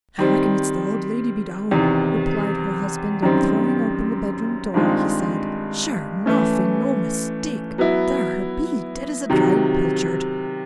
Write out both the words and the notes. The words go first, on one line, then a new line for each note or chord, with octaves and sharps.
"I reckon it's the old lady be down," replied her husband, and, throwing open the bedroom door, he said: "Sure enough, and no mistake--there her be, dead as a dried pilchard."
D#3 G3 C4
E2 C3 D#3
F#2 D#3 G3 C4
G2 D#3 G#3 C4 F4
E3 A3 C#4
F#3 B3 E4
C3 D#3 F#3